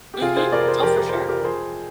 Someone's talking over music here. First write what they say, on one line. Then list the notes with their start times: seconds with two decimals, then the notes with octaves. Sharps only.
Mhm. Oh, for sure.
0.14 G4
0.21 C3 F4 G#4
0.36 G#4 C5
0.52 F1 A#4 D5
0.68 G#4 C5
0.83 F2 G4 A#4
0.98 G4 A#4
1.09 C5
1.13 F3 G4 A#4
1.28 G4 A#4
1.44 F3 G#4 C5